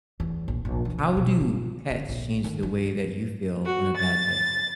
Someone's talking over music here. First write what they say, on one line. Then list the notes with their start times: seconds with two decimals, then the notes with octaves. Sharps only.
how do pets change the way that you feel on a bad day?
0.20 E2
0.48 A#1
0.65 A#1
0.85 E3
0.98 C3
1.17 B2
1.40 F4
1.90 D3
2.09 A#1
2.44 D#3
2.63 D4
3.65 F#4
3.96 A6